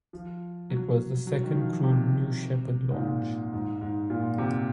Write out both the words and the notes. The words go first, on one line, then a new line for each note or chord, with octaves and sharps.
It was the second crewed New Shepard launch.
F3
F#3
F#3
D#3
F3
C3
G#2
A#2
G#2
G#2
A#2
C3